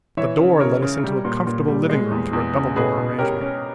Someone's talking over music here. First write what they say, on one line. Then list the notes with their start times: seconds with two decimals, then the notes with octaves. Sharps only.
The door led us into a comfortable living room through a double door arrangement.
0.17 E3 C#5 E5
0.39 C#3
0.60 C#3 A#4 C#5
0.82 C#3
1.04 G3
1.25 A#2
1.47 A#2
1.68 G3
1.90 G#3
2.11 E2
2.33 E2
2.55 C#3
2.76 B2 G#4 B4
2.97 B2
3.19 C#4 G4 A#4
3.41 C#4